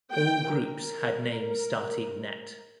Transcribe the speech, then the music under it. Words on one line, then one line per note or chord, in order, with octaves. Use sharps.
All groups had names starting net.
G5
A#4